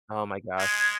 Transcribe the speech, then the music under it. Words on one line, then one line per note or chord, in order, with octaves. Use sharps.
Oh, my gosh.
G#3 G#6